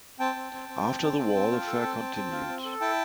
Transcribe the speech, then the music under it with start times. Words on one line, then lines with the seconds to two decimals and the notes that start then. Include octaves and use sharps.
After the war, the fair continued.
0.20 C4 G5 A5
0.35 C4
0.52 C4
0.69 C4
0.85 C4
1.01 C4
1.18 C4
1.33 C4
1.51 F4
1.66 A4
1.83 C4
2.00 C4
2.16 C4
2.32 F4
2.48 C4
2.65 A4
2.81 E4 G5 A5